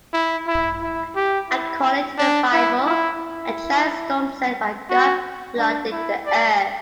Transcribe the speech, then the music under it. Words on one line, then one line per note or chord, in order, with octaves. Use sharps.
According to the Bible, a giant storm sent by God flooded the Earth.
E4
E4
E4
G4
E4
D4
E4
E4
E4
F#4
D4
E4
D5